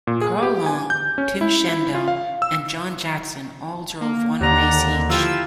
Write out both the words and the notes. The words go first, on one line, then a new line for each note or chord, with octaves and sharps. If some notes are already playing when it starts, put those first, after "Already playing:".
Carl Long, Tim Schendel and John Jackson all drove one race each.
A#2
G#4
G4
G#5
G6
C#4
E4
E4
F4
F5
E6
A#3
D#2 D3 D5 F#5 A#5
F3 E4 F4 G4 E6